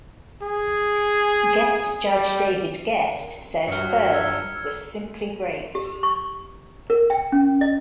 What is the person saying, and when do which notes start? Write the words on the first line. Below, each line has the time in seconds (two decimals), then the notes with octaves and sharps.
Guest judge David Gest said Furze was simply great.
0.43 G#4
2.11 G3
3.68 G2 F#3 F6 C#7
4.14 E6 G#6 G7
5.75 G4
6.03 C#6
6.90 A#4
7.10 G5
7.32 C#4
7.61 D#5